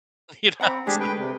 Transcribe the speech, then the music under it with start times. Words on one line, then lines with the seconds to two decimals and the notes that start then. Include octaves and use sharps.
you know, it's like
0.61 C4 F#5 A#5 B5
0.87 D3 G#3 A3 D4 G4 G#4
1.00 B4 G5
1.19 C3